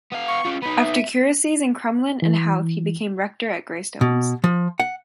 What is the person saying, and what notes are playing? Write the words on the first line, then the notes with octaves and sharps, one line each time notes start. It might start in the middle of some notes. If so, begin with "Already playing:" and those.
After curacies in Crumlin and Howth he became Rector at Greystones.
B3 F5
C#6
C#4 F4
B3 D#4 B5
E5
E3
B2
F3
F#5